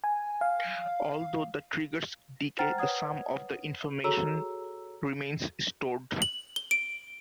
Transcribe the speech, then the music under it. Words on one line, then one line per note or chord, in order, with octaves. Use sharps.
Although the triggers decay the sum of the information remains stored.
G#5
F5
C5 F#5 G5 A#5 F6 A6
B4 C#5 F#5 D#6 G#6
F#4 G#4 A4 C#5 A#5 E6
F#7
G7
D7